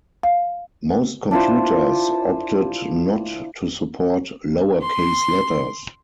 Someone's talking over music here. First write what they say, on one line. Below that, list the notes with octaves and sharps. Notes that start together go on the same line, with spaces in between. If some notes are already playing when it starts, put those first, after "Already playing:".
Most computers opted not to support lower-case letters.
F5
D4 E4 F4 C5
C6